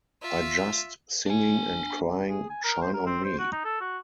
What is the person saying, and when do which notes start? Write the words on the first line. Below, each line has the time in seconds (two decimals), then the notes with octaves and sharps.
I just singing and crying 'Shine on Me'...
0.22 F4 E5
1.26 D4 G#5
2.29 G#4
2.50 G#5
2.64 A#4
2.82 C5
2.94 A#4
3.06 C4
3.24 C5
3.39 F#4
3.52 D#4
3.65 A4
3.81 F#4